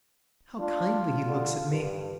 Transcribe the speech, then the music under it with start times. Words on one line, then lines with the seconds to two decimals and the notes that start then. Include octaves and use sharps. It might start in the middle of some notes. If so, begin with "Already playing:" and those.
How kindly he looks at me!
0.60 D4 F4
1.26 D3
1.70 G2